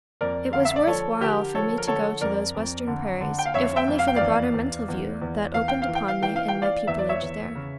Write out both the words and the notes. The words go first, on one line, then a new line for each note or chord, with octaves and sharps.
It was worth while for me to go to those Western prairies, if only for the broader mental view that opened upon me in my pupilage there.
F2 A#4 D5
D3 F5
E5
D5
F3 A4 C#5
D3 G4 A#4
F3 A4 C#5
A#4
D3 A4 C#5
F2 A#4 D5
F2
D3
D3
G5
F5
F2 C#5 E5
E5 G5
F2
F5
G5
E2 D5 F5
E2
E2
E2
E2 F5
G5
F5
E3
G5
F5
E3 G5
F5
G5
E3
D5 F5
E2 E5
D5
C#5 E5
E2
C#3